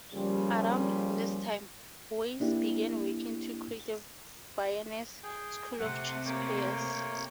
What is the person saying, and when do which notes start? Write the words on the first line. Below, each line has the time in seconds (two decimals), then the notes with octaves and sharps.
Around this time, Weiss began working to create a Viennese school of chess players.
0.13 A#2 C#3 F3 G3
2.40 A#3 D4 E4 G4
5.23 G#4 G5
5.79 C3 A3 F#5
6.26 A#3 C#5 G5